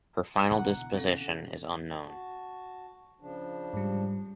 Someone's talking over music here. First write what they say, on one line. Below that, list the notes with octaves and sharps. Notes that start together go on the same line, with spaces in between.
Her final disposition is unknown.
B2 D3 E3 F#5 A#5
C4 C#4 A4
F#4 A5
C#3 F3 D4
G#2 G3